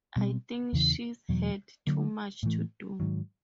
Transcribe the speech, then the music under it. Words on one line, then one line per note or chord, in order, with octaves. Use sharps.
I think she’s had too much to do.
B2 G3 C4
E2 C#3 E3
E2 B2 F#3
D3 F#3 A#3
A2 E3 A3
G#2 D#3 F#3